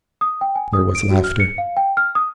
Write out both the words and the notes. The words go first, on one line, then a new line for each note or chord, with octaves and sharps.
There was laughter.
D#6
G5
G#5
D#6
D7
F#4
F6
C#7
F5
G5
F6
D#6